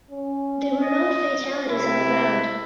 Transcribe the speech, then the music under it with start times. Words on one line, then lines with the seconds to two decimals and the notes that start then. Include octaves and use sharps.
There were no fatalities on the ground.
0.10 C#4
0.83 D#5
1.70 C3 E4